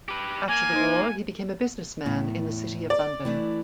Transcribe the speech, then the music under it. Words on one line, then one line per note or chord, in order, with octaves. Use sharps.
After the war, he became a businessman in the City of London.
G4 B4
A#3 G#5
D#4 C5
E2 A2
D5
E3 A3 D4